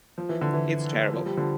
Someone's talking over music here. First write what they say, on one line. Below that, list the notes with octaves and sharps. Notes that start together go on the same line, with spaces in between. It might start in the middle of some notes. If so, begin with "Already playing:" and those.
It's terrible.
F3
E3
D3
E3
F3
G3
D3 F3